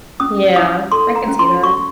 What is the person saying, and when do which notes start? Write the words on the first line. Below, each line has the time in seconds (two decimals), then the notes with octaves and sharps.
Yeah. I can see that.
0.20 C#4 D#6
0.56 E4 D#6
0.92 A4 C6
1.16 A#5
1.28 C#4
1.39 C6
1.63 F#4 C#6